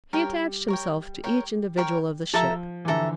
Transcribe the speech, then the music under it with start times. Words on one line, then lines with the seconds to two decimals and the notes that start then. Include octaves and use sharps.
He attached himself to each individual of the ship.
0.13 G3 A#4 C#5 G5
0.68 A#4 C#5 G5
1.24 A#4 C#5 G5
1.77 A#4 C#5 G5
2.33 F3 A4 E5 A#5
2.85 E3
2.88 D3 A4 E5 A#5